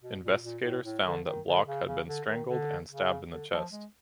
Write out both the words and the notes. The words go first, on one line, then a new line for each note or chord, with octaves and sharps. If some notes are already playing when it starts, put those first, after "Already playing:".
Investigators found that Bloch had been strangled and stabbed in the chest.
B2
A#2
A#2
A2
A2
D3
D#3
D3
C#3
C#3
D3
D#3
D3
C#3
D3
F3
G#3